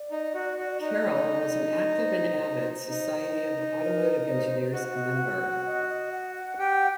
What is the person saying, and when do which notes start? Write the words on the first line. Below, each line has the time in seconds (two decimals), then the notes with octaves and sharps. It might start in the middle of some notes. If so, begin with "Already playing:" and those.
Carroll was an active and avid Society of Automotive Engineers member.
Already playing: D5
0.12 D#4
0.34 F#4
0.58 F#4
0.81 D#4
1.96 C5
2.89 D#4
3.81 A#4
4.27 D5
4.31 C5
4.73 F#4 D#5
4.85 F#5
4.97 D#5
5.20 F#5
5.67 D#5
5.89 D#5
6.12 F#5
6.36 F#5
6.59 G4